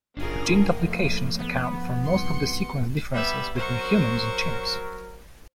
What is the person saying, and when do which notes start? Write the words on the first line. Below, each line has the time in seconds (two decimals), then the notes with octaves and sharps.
Gene duplications account for most of the sequence differences between humans and chimps.
0.17 F#1 C#4 D4 F4 G#4 A#4
0.79 A2 F3 A#3
1.39 B3
2.03 C2 C6 C#7
3.14 G3 B3 E5 B5
3.55 F#3 A#4 C5 C#6